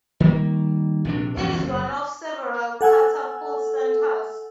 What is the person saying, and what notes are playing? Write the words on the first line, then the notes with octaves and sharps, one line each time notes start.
It is one of several Catapult centres.
D#3 G3 A3 A#3
A#1 C3 E3 D4
A#1 E2 G2 C#4
F#1
A4 F#5 G#5 E6